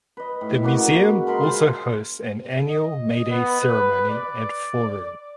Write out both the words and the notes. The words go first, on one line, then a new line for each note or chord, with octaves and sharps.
The museum also hosts an annual Mayday Ceremony and forum.
B4 D#5
A2
C#3 A#3 F#4
B5
G#3 A#4 B5 C6
F4 C5
D#5
B3
B4
D5